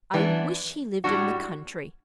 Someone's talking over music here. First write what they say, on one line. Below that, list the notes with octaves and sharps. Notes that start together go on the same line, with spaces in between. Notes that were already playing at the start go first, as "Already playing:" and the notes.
I wish he lived in the country.
F#2 E3 B3 D4
A2 G3 D4 F#4